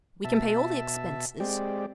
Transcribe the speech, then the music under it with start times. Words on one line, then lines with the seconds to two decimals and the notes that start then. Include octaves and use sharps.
We can pay all the expenses.
0.25 B2 E5 A5
1.40 G#3 C4 G4 D5